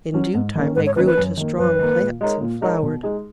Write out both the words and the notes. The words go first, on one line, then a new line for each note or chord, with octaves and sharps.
In due time they grew into strong plants and flowered.
F#3 C#4
G#2
D#3 A#3 C#4
G#2 B4
C#5
D#3 A#3 C#4 B4
B4
F#2
D#3 A#3
F#2 B4
D#3 A#3
A#2
G#3 D#4 A#4 C#5
A#2
G#3 D#4 A#4 C#5
B2
G#3 D#4 G#4